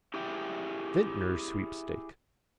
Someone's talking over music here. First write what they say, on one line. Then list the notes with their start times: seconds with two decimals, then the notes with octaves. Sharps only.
Vintners' sweepstake.
0.14 E4 G4 G#4 E5 G5